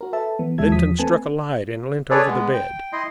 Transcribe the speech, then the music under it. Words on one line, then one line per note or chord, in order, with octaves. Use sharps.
Lynton struck a light and leant over the bed.
F#4 A#4
A4 B4 E5 A5
E3 B3
D#2 D3 G#3 E5 A5 G#6
E2 F3 D#6 B6
A3 C4 B4 G#5 A5
G#4 A4 B4 C#5 D5
G#3 B3
G5
E4 D#5 C6